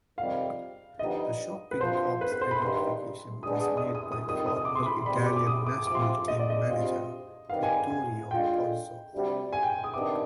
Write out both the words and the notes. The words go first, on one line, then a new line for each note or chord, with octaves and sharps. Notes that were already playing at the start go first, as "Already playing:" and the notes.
The shocking corpse identification was made by former Italian National Team manager Vittorio Pozzo.
F2 C3 D#3 G3 F5
D3 F3 B3 D#4 G4 D#5
B4
D2 C3 F3 C5
B4
B4
C5
B5
G2 D#3 B3 D#4 G4 C6
D3 G#3 B3 D4 G#4 D#6
D#6
D#6
D#6
D#6
F2 D#3 G3 D#6
D#6
D#6
D6
C6
B5
C6
C2 C3 G3 B5
C6
D6
D6
D#6
D6
C3 F3 C4 F4 D6
C6
D6
D#5
D5
D#5
D2 C3 G3 C4 F4
D#3 G3 C4 G4 B4 F5
G#5
G#5
D3 G#3 D4 F4 G5
D2 C3 G3
G#5
G5
D#6
C3 D#3 B3 D4 D6